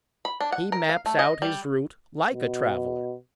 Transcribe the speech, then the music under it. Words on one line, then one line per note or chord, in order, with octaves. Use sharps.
He maps out his route like a traveller.
B5
D4
F#5
A#4
F5
A3
D#5
G3
B2